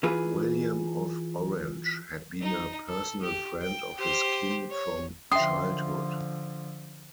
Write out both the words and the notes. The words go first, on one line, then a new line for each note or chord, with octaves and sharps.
William of Orange had been a personal friend of his King from childhood.
E3 F4 G#4 B4
D#4
A4
G4
G5
G4 C5
C#5
D3 F3 C#4 E5 C6 D#6